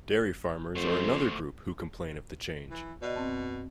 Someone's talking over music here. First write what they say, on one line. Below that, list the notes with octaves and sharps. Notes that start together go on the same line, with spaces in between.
Dairy farmers are another group who complain of the change.
F2 A3 C5
E3
B2 D5 D#5
F#2 C4 A5